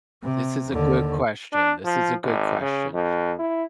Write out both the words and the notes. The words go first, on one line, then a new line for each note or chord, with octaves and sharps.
This is a good question, this is a good question.
C3
D#2 D3
D4
F3
G#1
C#3
F2
E4